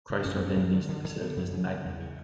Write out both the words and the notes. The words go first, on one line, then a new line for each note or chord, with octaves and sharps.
Chrysler then leased the facilities to Magna.
C#3
F#2 C#4
B3
F#2 C#4
F#2
D3
D3
D3
D3 B3
F#2
C#3
C#3
E2
C#3